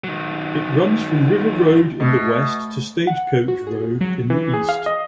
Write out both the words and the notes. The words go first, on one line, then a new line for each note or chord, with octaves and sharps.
It runs from River Road in the west to Stagecoach Road in the east.
D#3 F#3
B2 A3 E5
F#5
F#4
G#4
F#3
E3
G#4
F5
D#5